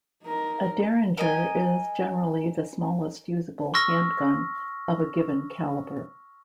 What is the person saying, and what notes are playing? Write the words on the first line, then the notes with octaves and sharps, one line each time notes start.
A derringer is generally the smallest usable handgun of a given caliber.
D#4 A#4
A#4 D#5 G#5
C6 C#6 E6 F6 A#6